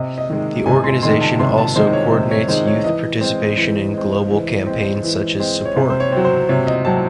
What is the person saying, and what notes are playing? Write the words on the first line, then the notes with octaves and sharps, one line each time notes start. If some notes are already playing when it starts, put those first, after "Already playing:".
The organization also coordinates youth participation in global campaigns such as Support.
Already playing: C3 D#5
D#5
D#3 G#3
C3 G#5
C6
D#3 G#3 C6
A5
C3 C6
A5
D#3 G#3 C5
C#5
C3 C5
C#5
D#3 G#3 C5
C#5
E3 D#5
G#3 C4
E3 C5
G#3 C4
E3
G#3 C4
E3
G#3 C4
C#5
C3 C5
C5
C#5
F#3 C4
C5
C3 C#5
D#5
F#3 C4 A5